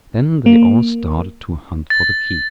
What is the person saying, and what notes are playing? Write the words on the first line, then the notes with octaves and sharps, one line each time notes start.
Then they all started to hunt for the key.
A#3
A6